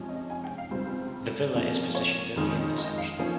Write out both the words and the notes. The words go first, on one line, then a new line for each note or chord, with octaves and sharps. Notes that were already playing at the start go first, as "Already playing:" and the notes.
The villa is positioned at the intersection.
Already playing: C3 F3 G#3 C#4
D#5
G#5
G5
F5
C#2 C3 G3 C5
C3 F3 A#3 C#4
C#5
F2 D#3 G#3 C#4
D#5
F5
F3 A#3 C#4 F5